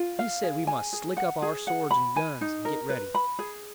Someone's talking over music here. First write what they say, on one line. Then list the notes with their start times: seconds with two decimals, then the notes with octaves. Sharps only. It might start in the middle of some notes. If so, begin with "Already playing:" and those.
He said we must slick up our swords and guns, and get ready.
Already playing: F4
0.19 F5
0.43 G#4
0.67 G#5
0.93 G#4
1.17 F#5
1.42 G#4
1.67 F#5
1.91 B5
2.16 G#5
2.41 D#4
2.65 A#4
2.90 B4
3.15 B5
3.39 G#4